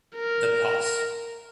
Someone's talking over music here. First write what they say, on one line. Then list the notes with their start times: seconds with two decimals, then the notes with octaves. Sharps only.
The poss.
0.16 A#4